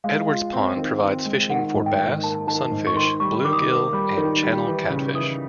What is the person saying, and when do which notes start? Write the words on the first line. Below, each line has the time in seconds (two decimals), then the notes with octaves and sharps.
Edwards Pond provides fishing for bass, sunfish, bluegill and channel catfish.
0.04 G#3 F5
0.28 F4
0.53 C4
0.77 D#3
1.01 C4
1.25 G#3
1.50 D#3 F#5
1.74 G#2
1.86 G5
1.99 D#3
2.24 A#3 A5
2.47 D#3 A5
2.71 G#2
2.87 C#6
2.96 D#3 C6
3.20 G3 C#6
3.45 D#3 D6
3.53 D#6
3.62 D6
3.70 A#3
3.93 G3
4.17 D#3
4.43 G3
4.67 E3
4.90 C#3
5.15 E3 D#6